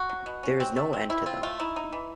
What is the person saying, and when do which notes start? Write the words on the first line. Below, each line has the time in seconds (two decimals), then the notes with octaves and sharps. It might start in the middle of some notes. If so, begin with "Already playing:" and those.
There is no end to them!
Already playing: F#4
0.09 F#3
0.26 B2
0.43 C#4
0.60 C4
0.76 A3
0.93 C4
1.09 C4 E4
1.26 C4 F4
1.43 A3 F4
1.60 D#4 E4
1.76 D#4
1.92 E3